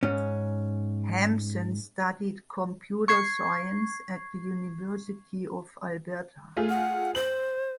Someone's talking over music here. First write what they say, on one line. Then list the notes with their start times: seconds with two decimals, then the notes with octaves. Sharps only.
Hampson studied computer science at the University of Alberta.
0.03 G#2 C#4
3.08 C#6 G#6 C7
6.57 A3 F4 G#4
6.69 F#5
7.15 C5 F#7